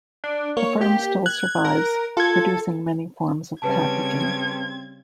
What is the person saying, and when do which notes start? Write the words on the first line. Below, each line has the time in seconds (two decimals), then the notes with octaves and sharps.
The firm still survives, producing many forms of packaging.
0.24 D4
0.57 A#3 C#5
0.81 G4
1.26 F#6 G#6
1.65 A#4
2.17 F4 A4 G#6
3.62 C#3 G3 C4 B4 A5 G#6